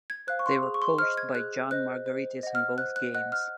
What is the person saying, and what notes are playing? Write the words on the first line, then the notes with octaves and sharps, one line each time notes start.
They were coached by John Margaritis in both games.
G#6
C5 F5 F#6
C#6
C6
G#4
C#6
C6
C5 D#5 F6
G#6
G#4 F#6
C5 D#5 F#6
C5
D#5 F#5
F6
C5 F#6
F#6
D#5 F#5 F#6
F6